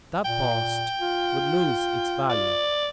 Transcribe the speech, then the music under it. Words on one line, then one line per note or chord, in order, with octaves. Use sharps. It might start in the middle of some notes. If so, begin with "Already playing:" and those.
"That post would lose its value."
A#2 G5
F4
D5